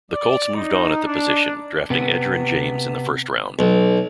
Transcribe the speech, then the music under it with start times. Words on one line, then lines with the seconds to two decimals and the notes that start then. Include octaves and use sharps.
The Colts moved on at the position, drafting Edgerrin James in the first round.
0.12 D5
0.55 D#4
1.05 D4
1.90 C3 B3
3.59 B1